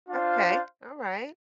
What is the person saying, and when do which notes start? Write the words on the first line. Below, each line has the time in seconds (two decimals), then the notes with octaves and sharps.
Okay, alright,
0.09 D4 F4 C5 F5